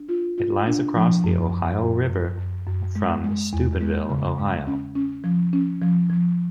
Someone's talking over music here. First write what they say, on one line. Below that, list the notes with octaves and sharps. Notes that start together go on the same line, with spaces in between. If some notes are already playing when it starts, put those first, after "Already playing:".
It lies across the Ohio River from Steubenville, Ohio.
Already playing: D4
F4
F4
D4
F3
F#2
F#2
F#2
F#2
F#2
F#2
G#3
G#3
E2
G#3
C#3
G#3
C#4
C#4
F3
C#4
F3
F3